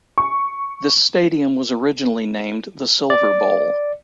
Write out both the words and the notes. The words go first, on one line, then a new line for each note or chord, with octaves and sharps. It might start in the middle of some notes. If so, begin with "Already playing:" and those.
This stadium was originally named The Silver Bowl.
C#6
D5